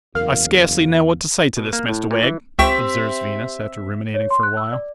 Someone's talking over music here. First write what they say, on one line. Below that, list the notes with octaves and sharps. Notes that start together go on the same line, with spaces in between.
'I scarcely know what to say to this, Mr Wegg,' observes Venus, after ruminating for a while.
F#1 E2 A#4 F5
B2
A#3
A2
A#2
E3
C#2 C4 G4 E5 G5 C#6
C#5
C6
F#6
E6
D5